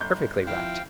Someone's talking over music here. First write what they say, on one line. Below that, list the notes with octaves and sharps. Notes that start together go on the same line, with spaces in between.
Perfectly right.
G1 G6
F3 C4 E4 F5 G5